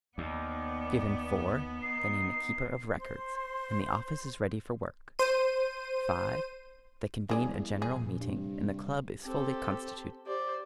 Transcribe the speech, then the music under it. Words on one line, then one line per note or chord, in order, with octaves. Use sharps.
Given four, they name a keeper of records, and the office is ready for work; five, they convene a general meeting, and the club is fully constituted.
D#2 B3 D5
D#4 C7
C5 C6
C5 D#7
E2 C#3 G3 G#4 D5
F2 A#2 G#4
G2 C3 G3
C4 G4 A4
G4 C5 D5